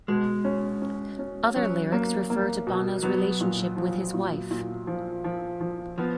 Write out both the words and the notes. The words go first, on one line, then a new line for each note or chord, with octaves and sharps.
Other lyrics refer to Bono's relationship with his wife.
B2 G#3
C#4
C#4
C#4
F#3 C#4
A#3
A#3
B2
F#3 B3
A#2
F3
A#2
A#2
F3
F3
F3
F3 B3